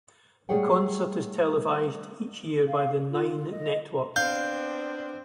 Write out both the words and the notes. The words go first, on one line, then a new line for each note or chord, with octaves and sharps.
The concert is televised each year by the Nine Network.
G3 A3 G#4 C#5 F#5 G5
F5
F4
D#5
B3 C4 D4 F5 G6